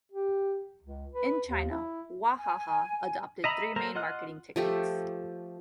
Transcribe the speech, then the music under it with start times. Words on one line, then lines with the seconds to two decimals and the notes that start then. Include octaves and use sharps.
In China, Wahaha adopted three main marketing techniques.
0.12 G4
0.83 C#2
1.14 B4
1.46 D#2
1.71 E4
2.38 G#5
3.44 D#5 E5 A#5 B5
3.76 A#3 A4 A#4 C5 A#5
3.95 F4 D#5 F#5 F6 F#6
4.56 F3 A3 G4